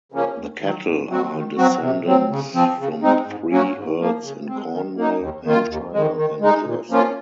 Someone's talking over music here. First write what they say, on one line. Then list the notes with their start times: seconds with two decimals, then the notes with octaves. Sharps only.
The cattle are descendants from three herds in Cornwall, Hampshire and Jersey.
0.12 C#3 F3 A#3 C#4
0.37 D#2
0.61 D#3 F#3
0.85 G#2
1.09 F#3 C4 F#4
1.33 D#3
1.57 F#3 C4 F#4
1.81 C3
2.06 F#3 C4
2.30 C#3
2.54 F3 C4
2.79 C#3
3.02 G#3 C4 D#4
3.26 G#2
3.51 F#3 A#3 C#4 F#4
3.75 G#2
3.99 F3 A#3
4.23 C#3
4.47 G#3 C4
4.72 D#3
4.96 A#3 D#4
5.20 D#2
5.44 D#3 A#3 F4
5.68 D#2
5.93 D#3 G#3
6.16 D#3
6.41 G#3 D#4
6.65 A#2
6.90 F3 A#3 C#4 F4